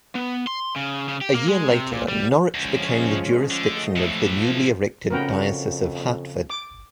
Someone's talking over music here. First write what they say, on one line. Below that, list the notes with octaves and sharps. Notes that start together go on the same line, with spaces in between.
A year later, Norwich became the jurisdiction of the newly erected Diocese of Hartford.
B3
C6
C#3
C#3
G4
A#3
G#3
C3
A#2
G3
D2 F3 G#3 C#4
D3 A3 D#5
A2 E3 F3
F2 C#3 B3 F#4 A#4 B4 G5
D6